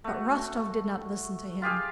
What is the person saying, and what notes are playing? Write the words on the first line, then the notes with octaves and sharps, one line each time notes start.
But Rostov did not listen to him.
A3 F#4
F4 G4 G#4 F5